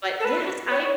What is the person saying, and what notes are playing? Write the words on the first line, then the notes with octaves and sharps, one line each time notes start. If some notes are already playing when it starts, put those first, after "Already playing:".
But yes, I
A4
B4
C#5